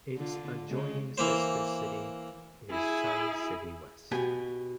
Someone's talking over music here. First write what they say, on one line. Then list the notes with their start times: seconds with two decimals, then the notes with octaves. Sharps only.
Its adjoining sister city is Sun City West.
0.16 D3 F4
0.67 C#3 G#3
1.18 E3 A#3 C5
2.71 E4 G#4
4.12 B2 G4 G#5